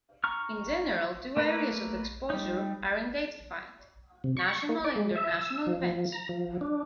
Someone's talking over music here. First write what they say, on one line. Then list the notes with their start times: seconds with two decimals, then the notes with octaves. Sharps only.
In general two areas of exposure are identified: national and international events.
0.24 A#5 C#6 F6
1.37 A3 A#3 A#4 B4
2.30 G3 D#4
4.24 C3
4.37 C#6
4.69 A#3
4.84 D5
4.96 G#3
5.15 E5
5.39 E6
5.67 F3
6.12 A#5
6.29 F3
6.61 D4